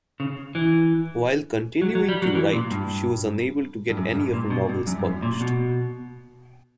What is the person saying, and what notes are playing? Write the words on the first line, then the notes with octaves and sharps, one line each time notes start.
While continuing to write, she was unable to get any of her novels published.
C#3
E3
F#3
F#3
G3
F#3
E3
A#2
G2
G2
F#2
G2
A#2
B2
G2
F#2
G2
F#2
A#2
B2